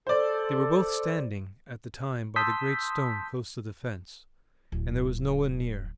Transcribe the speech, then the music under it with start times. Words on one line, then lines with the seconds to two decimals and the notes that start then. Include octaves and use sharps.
They were both standing at the time by the great stone close to the fence, and there was no one near.
0.07 A4 C5 D5
2.36 A5 C6 D#6 E6 G6 B6
4.72 D1